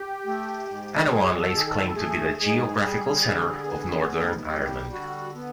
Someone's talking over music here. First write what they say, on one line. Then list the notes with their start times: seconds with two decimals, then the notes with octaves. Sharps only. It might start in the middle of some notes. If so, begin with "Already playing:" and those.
Annaghone lays claim to be the geographical centre of Northern Ireland.
Already playing: G4
0.26 A3
0.69 G#2
1.11 F#3 G#4
1.39 A4
1.53 D#3 G#4
1.68 A4
1.96 A3 G#4
2.38 G#2 G#4
2.80 G3 G#4
3.23 D3
3.65 B3
4.08 D#2
4.50 G3 G4
4.93 D3 F#4
5.35 B3